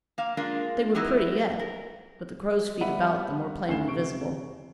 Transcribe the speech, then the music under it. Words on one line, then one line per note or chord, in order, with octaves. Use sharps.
They were pretty yet, but the crow's feet about them were plainly visible.
A#3 F5
G#3 A#3 D4 F4 A#4
E3 F#3 B3 D#4 E4
A#4
G3 B3 E5 F#5 B5 D#7
D2 C#3 C7 E7 G7
C3 C#6 D7